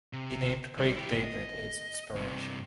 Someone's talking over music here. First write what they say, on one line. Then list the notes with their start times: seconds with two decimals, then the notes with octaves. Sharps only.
He named Craig David as inspiration.
0.13 C3
0.78 G3 D4
0.96 E4 G4
1.24 D#5
2.16 G2 C3